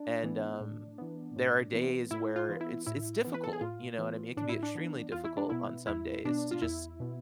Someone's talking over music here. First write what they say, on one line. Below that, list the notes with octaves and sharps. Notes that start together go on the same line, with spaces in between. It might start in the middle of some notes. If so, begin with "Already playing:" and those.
and, um, there are days where it's it's difficult, you know what I mean? It can be extremely difficult on some days to just,
Already playing: D4
E3 B3
A2
E3 B3
A2
E3 B3
A2 E4
F4
E3 B3
E4
A2 E4
E3 B3
B4
A4
G#4
A2 F4
E3 B3
A2 D4
E4
D4
E3 B3
E2 F4
E4
D4
B2 B3 E4
E2 E4
B2 B3 D4
F4
E2 E4
B2 B3